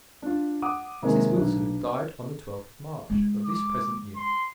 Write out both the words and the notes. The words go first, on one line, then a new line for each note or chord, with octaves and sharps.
Mrs. Wilson died on the twelfth of March of this present year.
D4 F4
F#5 D6 D#6
C3 D#3 G#3 A#3
B1 D4
G#3 D#4
D6
C6